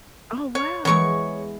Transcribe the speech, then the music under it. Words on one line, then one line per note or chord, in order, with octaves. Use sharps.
Oh, wow.
C#5
E2 E3 G#3 C#5 C#6